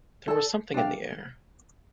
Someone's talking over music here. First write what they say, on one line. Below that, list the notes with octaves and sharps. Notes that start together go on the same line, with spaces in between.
There was something in the air.
A4 D5 A5
D4 G4 F5